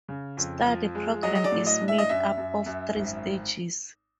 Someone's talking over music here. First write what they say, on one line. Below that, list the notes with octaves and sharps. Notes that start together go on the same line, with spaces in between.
The study programme is made up of three stages.
C#3
F2
F3
G#3
F#3 D#5
D#5
D5
A2
D#5
D4
E5
D#5
F#2 E5
F#2
F#2
G#1